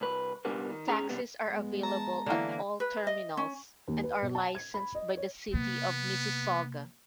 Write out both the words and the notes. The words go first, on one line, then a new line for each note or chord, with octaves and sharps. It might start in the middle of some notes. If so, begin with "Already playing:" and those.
Taxis are available at all terminals, and are licensed by the City of Mississauga.
C2 B4
C2 A#2 D3 G3 A#3 B3
D#3
G#2 C#4 G#4 A#5
C3 G3 B3
G#3 B3
A5 A#5
D3 E3 A#3
B4
D#5
C#4
D#2
B4
B2
A5
G#6
B5
D#5
C#5
C3 A#3 B3